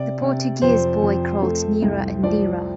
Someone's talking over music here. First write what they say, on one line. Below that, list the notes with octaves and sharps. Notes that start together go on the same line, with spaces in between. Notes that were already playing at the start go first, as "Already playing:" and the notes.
The Portuguese boy crawled nearer and nearer.
Already playing: C3 D5
C3
F2 C5
F2
A3
C2
F3 D5